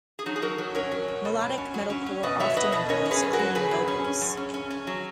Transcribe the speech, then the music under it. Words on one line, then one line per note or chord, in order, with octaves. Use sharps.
Melodic metalcore often employs clean vocals.
G#4
F#3 D#4 F#4
G#4
F#3 F#4 A#4
F#3
C#4 A#4 C#5
F#3
B2
B2
F#3
C#4
F#3
C#4
C#4
B2 B4 D#5
F#3 C#5 E5
B2 B4 D#5
B2 B4 D#5
C#4 A#4 C#5
C#4
G#4 B4
F#2
F#4 A#4
F#3
C#3 G#4 B4
F#2
C#4
C#4
F#2
C#4
C#4
C#4
F#3